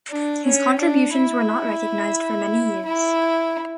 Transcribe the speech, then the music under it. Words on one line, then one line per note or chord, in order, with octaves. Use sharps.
His contributions were not recognized for many years.
D4
C#4
D4
E4
E4